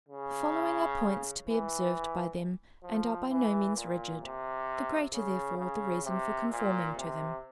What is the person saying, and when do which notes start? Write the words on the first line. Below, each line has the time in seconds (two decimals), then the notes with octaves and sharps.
The following are points to be observed by them, and are by no means rigid; the greater therefore the reason for conforming to them.
0.09 C#3
1.46 E3
2.83 F3
3.30 E3
3.76 A#2
4.22 C3
5.13 C#3
5.58 C#3
6.05 C3
6.51 A#2
6.97 C3